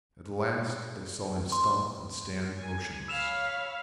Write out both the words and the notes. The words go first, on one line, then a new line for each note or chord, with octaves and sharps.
At last, they saw him stop and stand motionless.
C6
G#5
C#5 F5 B5 E6 E7 F7